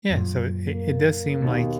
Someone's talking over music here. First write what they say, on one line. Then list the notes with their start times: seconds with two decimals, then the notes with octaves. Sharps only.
Yeah, so it it does seem like,
0.10 F#2 A#2
0.66 A#3
1.42 D#2 B2